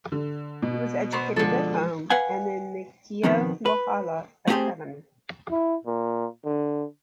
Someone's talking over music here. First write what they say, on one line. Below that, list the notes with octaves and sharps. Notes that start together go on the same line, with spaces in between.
He was educated at home and in the Kiev-Mohyla Academy.
D3
B2
F#3 B3 C5
D3 F3 G#3 A4
B4 F5 F#5 G#5
F2 B2 D#3 B3
B4
A3 B3 C4 G4 G#4 C5
E4
A#2
D3